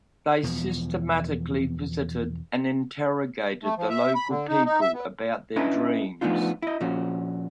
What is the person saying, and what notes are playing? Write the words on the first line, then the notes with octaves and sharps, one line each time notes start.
They systematically visited and interrogated the local people about their dreams.
E2 B2 F3
A3
F3
E5
B5
D3
D#4
D#4
E5
B3
C#4 D4 E4 B4 D#5 A#5
F3 A3 B3 D4 D#4 F4
E4 D#5
A#2 F3 C#4 F#4